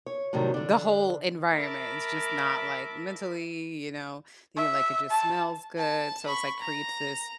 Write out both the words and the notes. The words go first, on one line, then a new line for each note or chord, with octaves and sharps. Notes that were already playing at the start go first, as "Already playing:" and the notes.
the whole environment. It's just not like mentally, you know, then you're like, "It just smells good," so it's like, creates this
C#5
A2 C3 D#3 F#3 G3
D3 D4
A#4 E5 A5 B5 D6
E5
A5
A5
B5 C#6
A#5